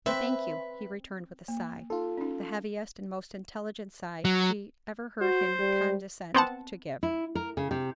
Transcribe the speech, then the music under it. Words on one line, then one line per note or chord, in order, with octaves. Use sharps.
"I thank you," he returned with a sigh--the heaviest and most intelligent sigh she ever heard him condescend to give.
C4 B4 E5
A#3
D#4 F4 A4
C#4 D#4
F#3
F#4 C5
G3
B3 C4 F#5 A5
E4
A#4
C#3
C3